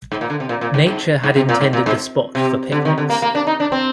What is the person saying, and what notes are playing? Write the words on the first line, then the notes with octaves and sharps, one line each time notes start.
Nature had intended the spot for picnics.
G#2
A#2
D3
C3
A#2
A#2
G#2
G#2
G#2
C3
A#2
G#2
A#2
G#2
C3
D3
D#3
D3
A#3
A#3
D4
D#4
D4
C4